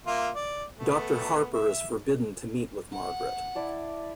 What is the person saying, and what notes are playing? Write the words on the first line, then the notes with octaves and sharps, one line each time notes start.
Doctor Harper is forbidden to meet with Margaret.
A#3 F4 E5
D5
A3 B3
E5
F#5
E4 D5 A5